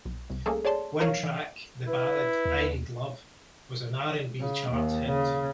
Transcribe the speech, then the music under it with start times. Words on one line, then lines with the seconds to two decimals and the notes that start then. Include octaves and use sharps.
One track, the ballad "I Need Love" was an R and B chart hit.
0.05 B1
0.30 C2
0.46 G3 A3 A#3 C#4 G#4 A4
0.65 G#4 C#5 D5 A5 C6
0.99 F3 D#4 A#4 C#5 F5
1.23 E3
1.88 E4 B4
2.45 D#2
4.40 C#3
4.71 D#2
5.07 C#3